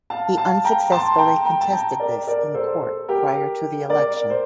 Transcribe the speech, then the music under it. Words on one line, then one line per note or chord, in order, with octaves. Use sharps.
He unsuccessfully contested this in court prior to the election.
F5 A5
F5 A5
G5 A#5
A5 C6
G5 A#5
G5 A#5
A5
G5 A#5
A#4 D5
A#4 D5
A4 C5
A4
G4 A#4
A#4 D5
C5